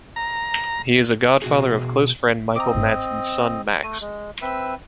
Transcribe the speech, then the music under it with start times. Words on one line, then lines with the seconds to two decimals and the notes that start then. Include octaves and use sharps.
He is a godfather of close friend Michael Madsen's son Max.
0.16 A#5
1.42 B2 F#4 G#4
2.56 C4 D#5 A#5 D6
2.74 G1 G#2
3.83 A3 D#7
4.02 G#3
4.42 C4 B4 E5